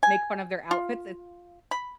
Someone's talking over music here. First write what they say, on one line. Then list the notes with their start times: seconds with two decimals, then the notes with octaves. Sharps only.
make fun of their outfits, it's
0.03 G#5
0.71 F4
1.71 B5